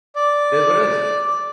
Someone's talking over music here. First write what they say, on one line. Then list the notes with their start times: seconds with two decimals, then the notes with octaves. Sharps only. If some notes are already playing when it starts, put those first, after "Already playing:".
it is what it is.
0.16 D5